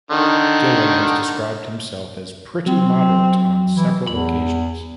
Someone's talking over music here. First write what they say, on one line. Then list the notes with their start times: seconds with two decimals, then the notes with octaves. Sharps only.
Dillon has described himself as "pretty moderate" on several occasions.
0.11 D3 D#3
2.66 F#3 C4
3.73 E3
4.07 E2 B5